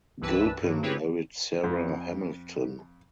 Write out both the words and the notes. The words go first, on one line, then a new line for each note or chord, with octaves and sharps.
Gilpin married Sarah Hamilton.
C2 G2 E3 B4 A5 E6
G2 F#3
C4 E4 G4 G#4 B4 C#5
F2